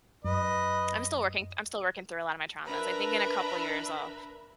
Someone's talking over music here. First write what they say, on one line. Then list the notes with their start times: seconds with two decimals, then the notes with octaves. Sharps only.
I'm still working I'm still working through a lot of my traumas; I think in a couple of years, I'll
0.24 F#2 B4 D#5
2.67 D4 A#4 B4 E5 A#5 B5